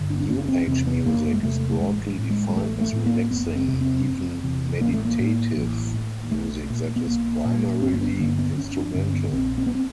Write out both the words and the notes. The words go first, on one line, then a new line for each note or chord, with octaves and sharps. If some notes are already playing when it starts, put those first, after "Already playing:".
New-age music is broadly defined as relaxing, even "meditative", music that is primarily instrumental.
Already playing: G2 D3
D4
D4
F#1 C#4
C4
E2 C3 C4
B3
F#1 A#3
G#3
E2 C3 A3
A3
A1 G#3
A2
G#3
G#3
A1 A3
A3
A2
A#3
F#1 B3
C4
E2 C3
C4
F#1
E2 C3
A1 A#3
A3
A#3
A2
A1
A2
B1 A3
A#2
B3
B1 A#3
A#2
G1 C4
A#3
B3
G2 D3 A#3
B3
G1 C#4
D4
G2 D3 C#4
B3
A#1 C4
C4
B3
C4